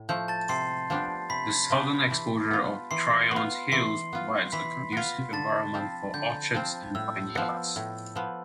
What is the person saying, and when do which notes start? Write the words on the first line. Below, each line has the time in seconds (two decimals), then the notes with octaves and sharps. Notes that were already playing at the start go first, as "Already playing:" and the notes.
The southern exposure of Tryon's hills provides a conducive environment for orchards and vineyards.
Already playing: A2
0.09 F3 A3 G6
0.28 A5 A6
0.49 C3 C6 C7
0.90 F3 B3 D4 G4
1.30 C3 B5 B6
1.70 F3 B3 D4 G4
2.11 E3
2.51 B3 F4
2.91 E3 C6 C7
3.31 B3 F4
3.72 E3 C6 C7
4.13 B3 F4
4.52 E3 B5 B6
4.92 B3 F4
5.33 D3 A5 A6
5.74 F3 C4
6.14 D3 G6
6.55 F3 C4
6.95 A2 E6
7.35 F3 B3
7.76 A2
8.16 F3 B3